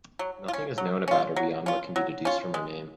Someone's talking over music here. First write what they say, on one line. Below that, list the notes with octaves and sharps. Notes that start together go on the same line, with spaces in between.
Nothing is known about her beyond what can be deduced from her name.
F#3
F4
C#4
F#3
C#4 F4
F#3
C#4 F4
F#3
C#4 F4
G#3